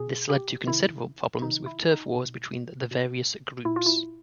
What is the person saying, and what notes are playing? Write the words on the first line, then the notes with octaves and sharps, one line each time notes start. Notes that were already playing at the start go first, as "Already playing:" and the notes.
This led to considerable problems with turf wars between the various groups.
Already playing: B2 G#4
G4
C3 D#3 E4
C3 D#3 D#4
E4
D#4
B2
B2
A#2 E4
F4
E4